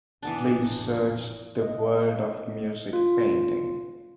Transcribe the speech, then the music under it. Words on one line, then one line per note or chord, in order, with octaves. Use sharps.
Please search The World of Music painting.
F1 A2 E3 B3 D4
D#5
F4